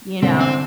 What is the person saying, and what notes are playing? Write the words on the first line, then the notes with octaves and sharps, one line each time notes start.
You know?
D3 C4
C4